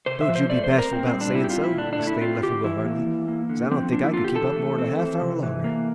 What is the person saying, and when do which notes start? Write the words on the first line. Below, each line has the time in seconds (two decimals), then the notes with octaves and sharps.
"Don't you be bashful about sayin' so," exclaimed Leffingwell heartily, "'cause I don't think I could keep up more'n a half hour longer."
0.06 C3 C5
0.21 E5
0.28 F3
0.35 C5
0.49 A3 D5
0.64 C5
0.71 C4
0.79 A#4
0.92 A#2 C4
1.06 C4
1.14 G3
1.21 D4
1.35 C4 E4
1.44 G4
1.50 F4
1.57 A#2
1.64 E4
1.78 D3 D4
1.93 D4
1.99 A3
2.07 E4
2.21 C4 F4
2.43 D3 G4
2.64 E3 E4
2.85 A#3
3.07 E3
3.28 A#3
3.50 D3
3.71 F3 C4
3.92 A#3 D4
4.04 E4
4.13 D3 F4
4.24 G4
4.35 E3 A4
4.56 A3
4.78 C4
5.00 E3
5.21 C3
5.43 E3
5.64 A#3